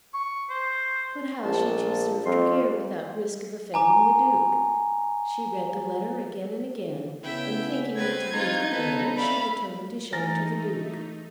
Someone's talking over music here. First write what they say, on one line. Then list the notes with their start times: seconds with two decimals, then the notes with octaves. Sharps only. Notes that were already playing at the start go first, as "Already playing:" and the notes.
But how should she serve Tregear without risk of offending the Duke? She read the letter again and again, and thinking it to be a good letter she determined to show it to the Duke.
0.14 C#6
0.50 C5
1.45 A#1 A5
2.26 F2 C6
3.74 G#5 A#5 D6
7.23 C#3 B3 C#4 E4 E5 G5
7.97 C4 B4 G#6
8.33 C4 D#4 F4
8.70 B3 A4 B4
9.17 D5 E5 F5 B5
10.13 E3 A3 D#4 A#4 G#5 A6 A#6